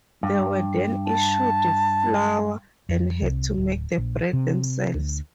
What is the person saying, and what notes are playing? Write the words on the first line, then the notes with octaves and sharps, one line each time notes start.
They were then issued flour and had to make the bread themselves.
G2
A5
F2
C2
D1
A#1
C3
D2